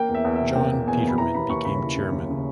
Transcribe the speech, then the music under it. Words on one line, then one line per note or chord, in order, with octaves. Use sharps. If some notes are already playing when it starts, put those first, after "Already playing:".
John Peterman became Chairman.
Already playing: A#3 G5
E2
E5
E2
B2 E5
A#3 G5
E2
E2 G#5
B2 B5
E3 A#5
D#2 B5
D#2 C#6
C#3 B5
E3
D#2
D#2
C#3